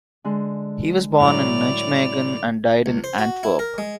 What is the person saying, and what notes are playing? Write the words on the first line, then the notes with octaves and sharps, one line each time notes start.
He was born in Nijmegen and died in Antwerp.
D3 G#3
A2 F#3 D5 F7
C#2
C5
F#4
E4
A#4
G#3